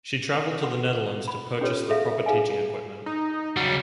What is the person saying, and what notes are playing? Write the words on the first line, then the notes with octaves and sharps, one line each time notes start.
She travelled to the Netherlands to purchase the proper teaching equipment.
A4 F#5 C6
B5
C#4 F4 G4 A4 B4 C#5
G#4 A4 E5 F5
G#4 F5 G#5
D#4
C#3 F#3 G3